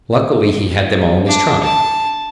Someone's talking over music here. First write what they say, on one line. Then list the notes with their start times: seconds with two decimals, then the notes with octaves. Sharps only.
Luckily he had them all in his trunk.
1.26 D4
1.64 A5